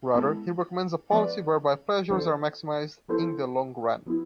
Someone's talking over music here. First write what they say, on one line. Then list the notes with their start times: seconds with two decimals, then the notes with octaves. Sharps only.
Rather, he recommends a policy whereby pleasures are maximized "in the long run".
0.13 G#3 B3 E4 A4
1.11 F3 B3 F4 B4 D5
2.10 E3 B3 D4 A4 C5
3.08 F3 B3 E4 A4 C5
4.07 F3 B3 E4